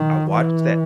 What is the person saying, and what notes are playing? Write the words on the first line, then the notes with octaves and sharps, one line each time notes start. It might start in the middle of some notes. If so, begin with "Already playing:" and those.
I watched that
Already playing: D#3
E3